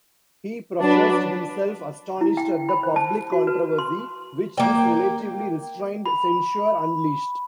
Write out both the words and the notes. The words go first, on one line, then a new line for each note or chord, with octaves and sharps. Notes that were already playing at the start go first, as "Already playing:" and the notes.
He professed himself astonished at the public controversy which this relatively restrained censure unleashed.
F#3 D4 B4
E4
G5
B5
C5
A5
F#4
B4
C6
A#3 G5
B5